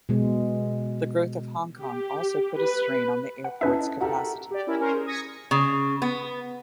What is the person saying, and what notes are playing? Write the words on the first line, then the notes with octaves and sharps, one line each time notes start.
The growth of Hong Kong also put a strain on the airport's capacity.
B2 G#3
G4
B4
F#5
C#4 D#4 E4 A4 B4 E5
E4 F#4 G4 A4 A#4 B5
G4 D5
C#4 E4 A#4
C#4 A#4 C5
G#4
D#6 G#6 A#6 B6 C#7
C#3
B3